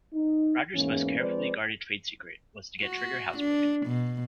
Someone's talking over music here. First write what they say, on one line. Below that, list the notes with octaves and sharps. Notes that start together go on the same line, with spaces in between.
Roger's most carefully guarded trade secret was to get Trigger housebroken.
D#4
E2 G#2 E3 A#3 C#4
F3 G#3 C4 B4 C5 D5
F#4
D4
B2